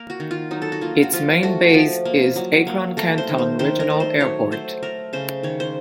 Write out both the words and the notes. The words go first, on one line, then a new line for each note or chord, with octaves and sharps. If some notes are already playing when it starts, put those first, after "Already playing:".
Its main base is Akron-Canton Regional Airport.
Already playing: A#3 A#4
F#4
D#3
F4
F#3 D#4
A4
F#4
A#3 F4
F#4
F3 F4
A3 F#4
F3
A#3
F#3
A#3
A3 A#4
C5
D#3
C5
D#3 C5
A#4
A3
C5
F#3 C#5
A3 C5
A3 A#4
C#3 C5
D#3 C#5
C5